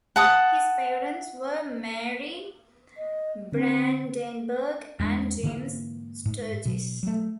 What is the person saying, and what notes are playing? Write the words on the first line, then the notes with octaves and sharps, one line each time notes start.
His parents were Mary Brandenburg and James Sturgis.
F#5 A5 D#6
D#5
D3 C4
E2 G#3 A3 D4
G#2 D3 E3 A#3
G#2
B2 F#3
F#3 A3